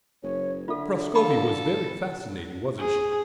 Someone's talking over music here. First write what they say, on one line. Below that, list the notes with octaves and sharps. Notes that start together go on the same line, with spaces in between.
"Prascovie was very fascinating, wasn't she?"
F#1 C#5
D3 F4 A4 E5
A4 F5 B5
G#4